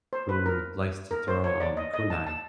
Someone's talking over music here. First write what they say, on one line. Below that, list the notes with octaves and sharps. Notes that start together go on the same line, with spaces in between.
who likes to throw, um, kunai,
C5
B4
A#4
A#4
C5
C#5
D5
D#5
D#5
A5
A5